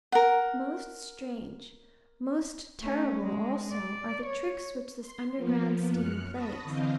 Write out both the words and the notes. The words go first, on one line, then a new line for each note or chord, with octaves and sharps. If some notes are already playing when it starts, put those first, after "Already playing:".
Most strange, most terrible also, are the tricks which this underground steam plays.
A#4 F#5
A3 C#4
G#3
D5
C#5
C6
F3 A#3 B3
F#2 F6 F#6 C#7
A5 B5 C#6 D#6 A#6
D3 E3 C4 D#5 F5 G6